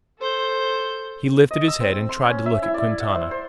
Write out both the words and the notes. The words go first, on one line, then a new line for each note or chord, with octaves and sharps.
He lifted his head and tried to look at Quintana.
A4 C5 G6
D#5
E6
C4
C6
C#4
E5
E4
D5
F#5
C5
C5